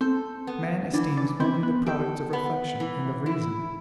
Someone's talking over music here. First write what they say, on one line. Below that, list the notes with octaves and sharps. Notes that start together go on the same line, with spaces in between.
Man esteems only the products of reflection and of reason.
C4 A4
B3
E3 D4
D4
C4 E4
B3
G4 A4
B3
E3
E4